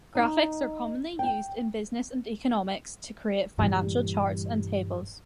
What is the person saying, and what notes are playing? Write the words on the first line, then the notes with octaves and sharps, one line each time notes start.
Graphics are commonly used in business and economics to create financial charts and tables.
D#4
G5
G2 A#2 E3 G3